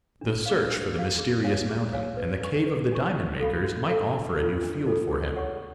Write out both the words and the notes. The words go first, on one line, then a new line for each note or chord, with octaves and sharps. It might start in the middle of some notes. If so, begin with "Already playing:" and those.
The search for the mysterious mountain, and the cave of the diamond makers, might offer a new field for him.
D4
G#4 D5 F5
D4
G#4 D5 F5
G#4
C#5 F5 G#5
G#4
C#5 F5 G#5
B4
D5 G#5 C#6
B4
D5 G#5 C#6
F#4
A4 F5 B5
F#4
A4 F5 B5
D4
F4 A4 D5
D4
F4 A4 D5
G#4
C#5 F#5 C#6